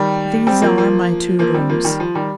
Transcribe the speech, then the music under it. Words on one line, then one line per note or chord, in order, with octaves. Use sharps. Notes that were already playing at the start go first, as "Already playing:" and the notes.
These are my two rooms.
Already playing: D#3 G3
G3 C4
F3 A#3
F3 A#3
F3 A#3
G3 C4
F3 A#3
D#3 G3
F3
D#3 G3